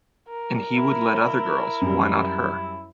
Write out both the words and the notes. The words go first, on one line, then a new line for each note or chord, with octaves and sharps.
And he would let other girls, why not her?
A#4
E4
F#2 G3